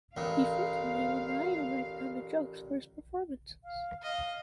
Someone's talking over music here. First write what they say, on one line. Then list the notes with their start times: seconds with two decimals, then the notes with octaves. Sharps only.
He frequently will not even write down the jokes for his performances.
0.17 A1 A#2 F5
3.64 F5
4.02 D#5 F5